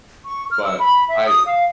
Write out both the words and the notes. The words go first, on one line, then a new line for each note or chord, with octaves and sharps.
But I
C#6
F6
E6
B5
E5
D#6
F5